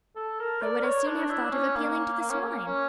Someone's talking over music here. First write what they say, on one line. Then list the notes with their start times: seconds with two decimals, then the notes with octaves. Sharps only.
They would as soon have thought of appealing to the swine.
0.15 A4
0.39 A#4
0.62 D5
0.78 A#4
0.84 C#5
1.07 D4
1.30 E4
1.45 D4
1.52 C#4
1.75 A#3
2.20 A#3
2.30 C#4
2.41 A#3
2.65 C#4